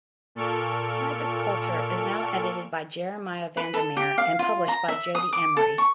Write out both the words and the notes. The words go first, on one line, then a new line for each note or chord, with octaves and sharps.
"Cannabis Culture" is now edited by Jeremiah Vandermeer and published by Jodie Emery.
A#2 A4 C#6 F6 D7
B4
A4
G4
F5
F4
A#5
E5
D#6
D6
A4
C#6